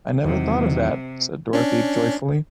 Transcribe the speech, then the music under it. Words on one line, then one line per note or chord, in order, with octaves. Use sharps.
I never thought of that! said Dorothy, joyfully.
E2 C3 D#3 F#3
C#4 D4